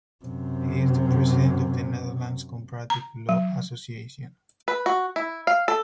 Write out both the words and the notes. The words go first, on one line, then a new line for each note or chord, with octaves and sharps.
He is the President of the Netherlands Comparative Law Association.
F#2 C3
A#5
F#3
B4
F#4
E4
F5
A4